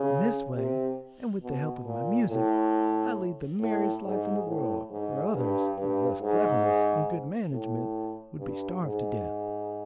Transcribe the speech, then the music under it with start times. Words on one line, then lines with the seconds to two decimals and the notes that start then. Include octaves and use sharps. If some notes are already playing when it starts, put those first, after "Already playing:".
In this way, and with the help of my music, I lead the merriest life in the world, where others, with less cleverness and good management, would be starved to death.
Already playing: C#3
0.55 C3
1.42 B2
1.86 A#2
2.29 A2
3.60 A2
4.04 G#2
4.47 A2
4.91 G#2
5.34 G2
5.77 G2
6.21 G#2
7.52 A2
8.39 G2
8.83 G#2